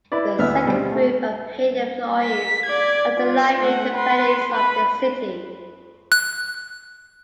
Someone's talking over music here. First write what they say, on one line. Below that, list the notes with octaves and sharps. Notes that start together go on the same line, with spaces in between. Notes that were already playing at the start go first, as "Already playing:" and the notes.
The second group are paid employees of the Livery Companies of the City.
E4 B4 D5
D2 B3 E5 F6
B2 G3 C5
A3
B6
D5 G#6
F4
A3 F#5
B4 C6
B4 B5
F#6